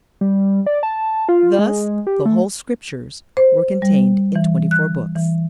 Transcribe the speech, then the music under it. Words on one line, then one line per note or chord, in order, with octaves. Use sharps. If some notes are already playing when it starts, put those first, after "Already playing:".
Thus the whole Scriptures were contained in twenty-four books.
G3
D5
A5
F4
G#3
G4
A3
C5
G3
E3
F#6
E3